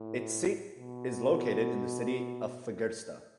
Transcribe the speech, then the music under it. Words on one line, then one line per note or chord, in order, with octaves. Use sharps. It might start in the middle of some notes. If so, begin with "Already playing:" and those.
Its seat is located in the city of Fagersta.
Already playing: A2
B2